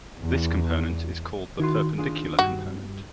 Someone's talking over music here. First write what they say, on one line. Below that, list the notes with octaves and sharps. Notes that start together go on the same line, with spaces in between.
This component is called the perpendicular component.
E2
D#3 E4 F#4 C6
D4 F4 G#4
G2 F#4